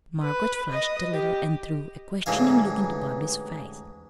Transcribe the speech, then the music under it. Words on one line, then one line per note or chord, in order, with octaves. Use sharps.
Margaret flushed a little and threw a questioning look into Bobby's face.
B4
D#5
G4
A1 G#2 D3 E3 F5